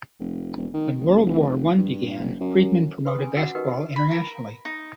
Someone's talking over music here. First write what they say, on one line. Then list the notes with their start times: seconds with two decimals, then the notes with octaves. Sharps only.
When World War One began, Friedman promoted basketball internationally.
0.20 F1
0.57 E1
0.74 D#3
1.00 F#1
1.26 F1
1.78 G2
2.19 F#1
2.40 F#2
3.05 B4 B5 C6 D6 D#6
3.18 C#4 G#5
3.36 F#4 F#5 D6 E6
3.55 D#4 F#4 G4 A#4 B4 D#5
3.96 B5
4.11 A#4
4.65 D#4